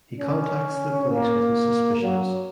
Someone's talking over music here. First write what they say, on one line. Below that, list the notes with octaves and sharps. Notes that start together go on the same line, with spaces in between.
He contacts the police with his suspicions.
C#4
A#3
F#3